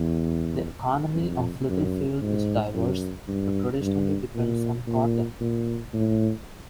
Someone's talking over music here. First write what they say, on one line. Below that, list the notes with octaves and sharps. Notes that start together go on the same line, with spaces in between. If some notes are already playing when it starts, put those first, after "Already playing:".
The economy of Littlefield is diverse but traditionally depends on cotton.
Already playing: E2
F2
F#2
G#2
F#2
G2
G2
A#2
A#2
A#2
A2